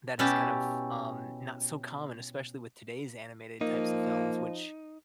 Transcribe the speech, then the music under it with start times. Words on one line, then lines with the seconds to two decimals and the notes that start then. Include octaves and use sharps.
that is kind of, um, not so common, especially with today's animated types of films, which
0.19 B2 C#4 E4 G4 A5
3.61 F3 A#3 D#4